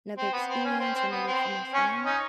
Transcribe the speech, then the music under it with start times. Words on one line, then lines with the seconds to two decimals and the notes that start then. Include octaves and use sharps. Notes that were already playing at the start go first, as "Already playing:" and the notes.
another experience or maybe from a friend?
0.18 C4
0.33 B3
0.49 C4
0.65 C#4
0.80 C4
0.96 C4
1.12 B3
1.27 C4
1.74 C#4
2.06 C#4 D#4